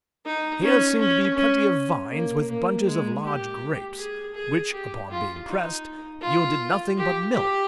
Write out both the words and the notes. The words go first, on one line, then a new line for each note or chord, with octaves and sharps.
Here seemed to be plenty of vines, with bunches of large grapes, which, upon being pressed, yielded nothing but milk.
D#4
C#4
C#4
C#4
A#3
A#3
G#3
G4
G#4
G#4
G4
F4
D#4
F4
G4
G4